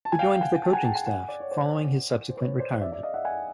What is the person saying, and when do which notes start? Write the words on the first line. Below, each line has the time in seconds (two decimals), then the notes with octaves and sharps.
He joined the coaching staff following his subsequent retirement.
0.05 A5
0.12 G#5
0.19 F5 G5
0.41 F#5 G#5
0.63 G5 A5
0.73 F#5 G#5
0.84 G5 A5
0.95 F#5 G#5
1.06 F#5 G#5
1.28 D5
1.40 C#5
1.51 C5 D5
2.30 C5
2.37 B4 C#5
2.59 C5 D5
2.81 D5 E5
2.92 D5 E5
3.03 D#5 F5
3.14 E5 F#5
3.25 F#5 G#5